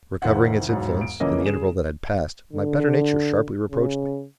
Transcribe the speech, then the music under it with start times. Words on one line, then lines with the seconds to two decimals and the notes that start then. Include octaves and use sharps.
Recovering its influence, in the interval that had passed, my better nature sharply reproached me.
0.22 F1 D#3 E4 C5 F5 F#5
0.68 E1 G#2 F#3
1.01 D7
1.20 A#1 C#3 E3 A#3 C#4 D#5
1.46 C#3 G#4 E7
2.53 D3
3.71 C#3